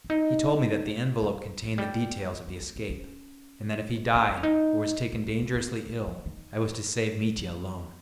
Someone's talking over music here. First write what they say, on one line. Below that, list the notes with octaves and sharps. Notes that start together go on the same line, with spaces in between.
He told me that the envelope contained the details of the escape, and that if he died or was taken dangerously ill, I was to save Mitya alone.
C#4
D#4
C#4
D#4
C4
F3
G3
G#3
A#3
A#3
C4
C#4
C#4
D#4
C#4
D#4
G3
G#3
A#3
C4
G#3
F3
D#3
F3